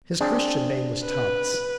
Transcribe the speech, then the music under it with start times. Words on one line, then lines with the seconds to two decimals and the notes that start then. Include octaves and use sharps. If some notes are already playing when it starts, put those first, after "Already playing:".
His Christian name was Thomas.
0.21 C4 D4 G#4
1.06 B4